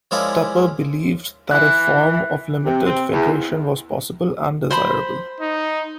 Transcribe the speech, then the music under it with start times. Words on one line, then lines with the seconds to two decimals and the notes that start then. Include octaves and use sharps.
Tupper believed that a form of limited federation was possible and desirable.
0.11 F3 G#3 C#4 E4 A#4 D5
1.51 E3 F#6
2.64 C3
2.85 C4
3.10 E2
4.71 C5 B5 C6
5.40 D#4